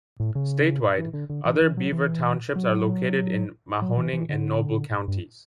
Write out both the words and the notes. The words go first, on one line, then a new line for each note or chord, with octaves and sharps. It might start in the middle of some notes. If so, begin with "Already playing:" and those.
Statewide, other Beaver Townships are located in Mahoning and Noble counties.
A2
C#3
E3
D3
D3
E3
E3
F#3
E3
F#3
F#3
E3
E3
D3
G2